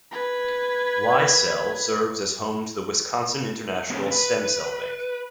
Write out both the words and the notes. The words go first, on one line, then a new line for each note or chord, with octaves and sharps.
WiCell serves as home to the Wisconsin International Stem Cell Bank.
B4 G#6
B2 D3 G#3 A#3 C4 C#4
B4